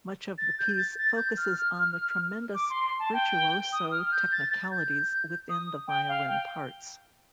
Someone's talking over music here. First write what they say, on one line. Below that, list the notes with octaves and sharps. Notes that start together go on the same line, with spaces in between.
Much of the piece focuses on the tremendous virtuoso-technicalities within the violin parts.
A6
G6
A6
A6
G6
F6
D6
C6
C6
A5
G5
D#6
F6
G6
A6
A6
G6
D#6
G5
F5
G5